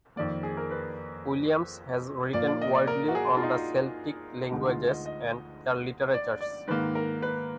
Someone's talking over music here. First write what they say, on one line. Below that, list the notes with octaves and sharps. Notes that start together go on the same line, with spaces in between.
Williams has written widely on the Celtic languages and their literatures.
F2 D#3 A#3 D5
G#4
A#4
B4
A#2 F3 A#3 D5
D5
D#5
D5
A#4
F#4
G#4
F4
D#4
D2 D3 G#3 B3 D#4
F4
D#5
D#5
D5
D5
G#2 D#3 A#3 B4
A#4
B4